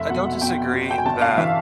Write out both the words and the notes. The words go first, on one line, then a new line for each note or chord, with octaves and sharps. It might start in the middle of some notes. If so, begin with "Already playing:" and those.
I don't disagree that
Already playing: F1 E5
B2 F#5
B2 G5
B2
G5
G#5
G1 A5
F5
E3 E5